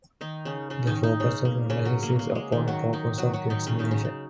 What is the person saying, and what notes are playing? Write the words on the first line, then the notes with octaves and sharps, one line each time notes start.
The focus of analysis is upon the purpose of the examination.
D#3 D#4
C#3 C#4
C#3 C#4
D#3 D#4
D#3 D#4
C#3 C#4
A#3
C#3 C#4
F#3 F#4
A#3
A#3
G#3
D#3
F#3 F#4
D#3 D#4
F#3 F#4
F#3 F#4
D#3 D#4
C#3 C#4
D#3 D#4
C#3
C#3